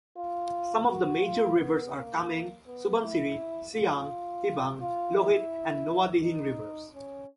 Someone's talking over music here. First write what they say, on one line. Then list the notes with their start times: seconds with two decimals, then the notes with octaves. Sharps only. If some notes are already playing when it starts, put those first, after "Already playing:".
Some of the major rivers are Kameng, Subansiri, Siang, Dibang, Lohit and Noa-Dihing rivers.
0.17 F4
0.89 F#4
1.24 F4
1.59 B3
1.95 A#3
2.66 B3
3.02 E4
3.73 F4
4.81 F4
5.16 E4
6.23 D#4
6.94 C#4